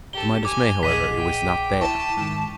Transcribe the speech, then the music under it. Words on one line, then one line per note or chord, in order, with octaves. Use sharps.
To my dismay, however, it was not there.
G4 A4 G7
G#5 D6
A#1 G#4 D#5 F#5 B6 D#7
G5
E4 A5 C#6
G#2 D#3